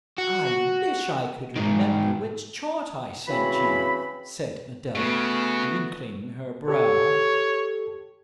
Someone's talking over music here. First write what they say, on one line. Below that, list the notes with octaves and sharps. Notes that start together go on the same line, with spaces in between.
"I wish I could remember which chart I sent you," said Adela, wrinkling her brow.
F#4
G#2 D#3
C#3 E3 C4 F#4 B5
C#3 A3 B3 F#4
G4 A4 C#5